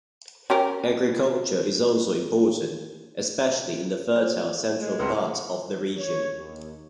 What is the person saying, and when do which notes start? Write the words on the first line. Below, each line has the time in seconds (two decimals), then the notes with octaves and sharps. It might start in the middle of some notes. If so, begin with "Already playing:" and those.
Agriculture is also important, especially in the fertile central parts of the region.
0.50 C#4 G4 A#4
4.16 C5 C#5
4.79 G#3
4.99 C#2 C3 B4
5.98 C#5
6.35 D#2